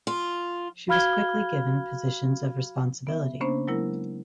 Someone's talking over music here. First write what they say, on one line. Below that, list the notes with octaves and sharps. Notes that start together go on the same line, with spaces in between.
She was quickly given positions of responsibility.
F4
F#4 F5 B5 F6 G#6 G7
B3 E5
C#3 A#3 B3 C#4 D4 C5
F#3 G#3 A#3 E4 A#4